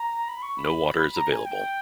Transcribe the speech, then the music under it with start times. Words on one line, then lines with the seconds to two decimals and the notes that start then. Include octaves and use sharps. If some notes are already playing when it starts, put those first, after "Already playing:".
No water is available.
Already playing: A#5
0.28 B5
0.42 C#6
0.56 B5
1.15 A#5
1.30 G#5
1.45 G5